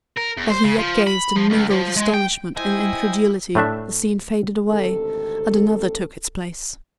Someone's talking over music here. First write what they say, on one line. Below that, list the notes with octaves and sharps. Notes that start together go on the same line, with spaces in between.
While he yet gazed in mingled astonishment and incredulity, the scene faded away, and another took its place.
A#4
E2
C5
C#3
F3
B5
F3
C#2
F3
G#3
G5
E4 C5 D#5 G5 G#5
A2 A3 D4 E5
G#1 D2 C3 D#3 A4